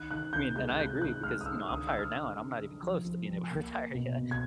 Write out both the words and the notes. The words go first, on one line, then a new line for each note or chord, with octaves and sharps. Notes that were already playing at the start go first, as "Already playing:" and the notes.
I mean, and I agree because, you know, I'm tired now, and I'm not even close to being able to retire yet.
Already playing: D#3 F#6
D#3 F#6
C3 G6
G#3 G6
F#6
C3 G6
D#3 F#6
G#3 F6
D#6
D#3 E6
D3 D#6
D3 E6
F6
D3
D3
D3
F3
F3
F3
A#3
A#3
B2
B2
G#6